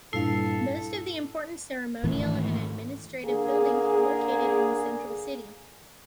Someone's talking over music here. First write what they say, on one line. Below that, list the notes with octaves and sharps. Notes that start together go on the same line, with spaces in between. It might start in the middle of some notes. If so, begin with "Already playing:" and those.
Most of the important ceremonial and administrative buildings were located in the central city.
G2 A#2 E4 A4 F5 C7
G#2 D#3 E3 A3
D3 A#3 G#4